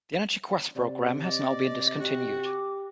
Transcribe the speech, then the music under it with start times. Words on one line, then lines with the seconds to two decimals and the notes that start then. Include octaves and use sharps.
The Energy Quest program has now been discontinued.
0.76 C3 D5
1.23 D5 D#5
2.00 F#4 G4
2.45 D6